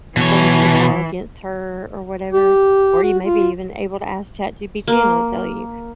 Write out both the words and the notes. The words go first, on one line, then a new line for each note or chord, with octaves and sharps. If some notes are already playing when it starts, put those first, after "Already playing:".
things you could file against her or whatever, or you may be even able to ask ChatGPT, and it'll tell you.
B2 E3 C#5
G4
F#4
F4
A#3